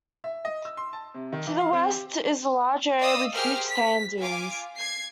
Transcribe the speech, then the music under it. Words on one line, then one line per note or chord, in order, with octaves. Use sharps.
To the west is a large area with huge sand dunes.
E5
D#5
E6
C6
A5
C3
D#3
E3
F5
C4
G4
D5 D#5 F5 D#6 E6
G4 G#4 A#4 C5 G5 F6
B6
F4 G#5 D6
G#6 C7